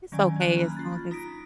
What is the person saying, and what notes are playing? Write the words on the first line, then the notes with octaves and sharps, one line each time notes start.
it's okay as long as
D#3 F#3 C#4 D5 G#5
C#4 F#6
A#3 C#4 A#5 B5
F4 A6
D#4 A#5 B6 D7